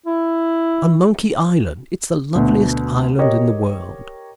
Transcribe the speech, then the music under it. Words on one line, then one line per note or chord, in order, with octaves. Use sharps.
"On Monkey Island; it's the loveliest island in the world."
E4
D2 B2
G4 A#4 C#5 D#5